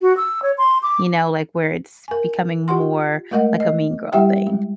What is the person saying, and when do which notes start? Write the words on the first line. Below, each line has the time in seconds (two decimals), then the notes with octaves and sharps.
you know? Like, where it's becoming more like a mean girl thing.
0.02 F#4
0.17 E6
0.43 C#5
0.58 C6
0.83 D6
2.08 A#4 G#5
2.68 F4 G4 F#5 C6
3.31 G#3 A3 A#4 D#5 F#5
3.60 D#5
4.13 G3 E4 G4 E5 F#5 G5
4.47 G#3